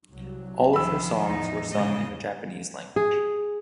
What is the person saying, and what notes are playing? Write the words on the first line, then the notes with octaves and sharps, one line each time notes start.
All of her songs were sung in the Japanese language.
C2 F#3
D#3 F3 B5 E6
E2 A2 D#4
C#3 G#3 D#5
G#4